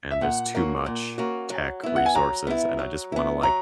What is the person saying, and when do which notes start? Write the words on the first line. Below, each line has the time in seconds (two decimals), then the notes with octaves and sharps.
and there's too much tech resources, and I just wanna, like
0.11 E5
0.21 A#2 F#5
0.55 A#3 C#4 F#4
0.86 A#2
1.18 A#3 C#4 F#4
1.50 F#3
1.83 B3 E4
1.96 F#5
2.06 G#5
2.15 F#3 A#5
2.47 B3 E4
2.79 F#3
3.12 B3 E4
3.43 F#3 A#5